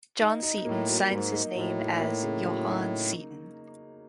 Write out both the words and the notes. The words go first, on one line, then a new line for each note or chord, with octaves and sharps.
John Seton signs his name as "Johan Seton".
D#4
D#4
A2 A#3
F#3
G#2 A#3
D#4
A2 F#3
D#4
A#3
C#3
F#3
D#4